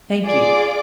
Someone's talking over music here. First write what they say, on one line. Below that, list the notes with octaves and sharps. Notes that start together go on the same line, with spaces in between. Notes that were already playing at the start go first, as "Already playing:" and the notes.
Thank you.
F4 G#4 D5 D6